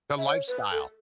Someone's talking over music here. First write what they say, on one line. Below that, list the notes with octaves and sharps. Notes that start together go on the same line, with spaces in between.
The lifestyle
E5
C#5
B4
A4